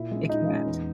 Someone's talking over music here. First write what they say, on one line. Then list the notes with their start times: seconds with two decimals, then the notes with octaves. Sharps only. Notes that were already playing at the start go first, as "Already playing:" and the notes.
It can't.
Already playing: A#2 E4
0.12 G#3 C#4
0.29 A#2 D#4 D#5
0.48 G#3 C#4
0.66 E2